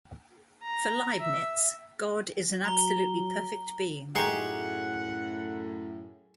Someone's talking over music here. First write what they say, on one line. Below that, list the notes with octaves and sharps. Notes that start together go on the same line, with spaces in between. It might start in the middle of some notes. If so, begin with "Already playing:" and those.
For Leibniz, God is an absolutely perfect being.
A#5
E5
F#3 A#5 G7
F#2 A2 D#4 G4 G#4 F#5 C6 C#6